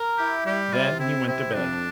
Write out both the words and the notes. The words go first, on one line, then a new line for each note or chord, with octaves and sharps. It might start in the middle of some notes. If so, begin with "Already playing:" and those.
Then he went to bed.
Already playing: A#4
E4 G4
G3 G4
C3 F4
C4 E4
C3 E4
F2 D4